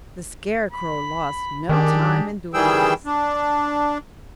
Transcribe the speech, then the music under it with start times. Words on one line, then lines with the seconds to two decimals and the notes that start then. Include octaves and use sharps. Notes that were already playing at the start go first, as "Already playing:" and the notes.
The Scarecrow lost no time in doing this.
0.70 B5
1.69 D#3 D4 G4 G#4
2.54 D#3 E3 G3 G#4 G5 E6
3.06 D4